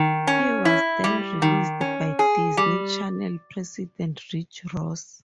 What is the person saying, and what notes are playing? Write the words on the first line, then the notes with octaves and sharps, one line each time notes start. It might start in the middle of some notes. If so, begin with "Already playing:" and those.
He was then replaced by Disney Channel president Rich Ross.
Already playing: D#3
C#4
E4
G3
D#3
C#4
G#4
G3